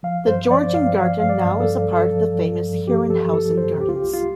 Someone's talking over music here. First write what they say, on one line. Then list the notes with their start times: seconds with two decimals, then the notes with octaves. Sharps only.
The Georgengarten now is a part of the famous Herrenhausen Gardens.
0.03 F3 F5
0.27 G2 C5
0.51 F3 D5
0.74 G2 F5
0.97 F3 F5
1.20 G2 F5
1.29 D5
1.45 G2
1.60 A4
1.68 G2
1.92 F3 A4
2.16 F3
2.39 F3
2.64 G2
2.87 F3 G4
3.10 F3 A4
3.34 F3 A4
3.57 G2 C5
3.81 C2 G4
3.89 F4
3.96 G4
4.05 C2
4.13 F4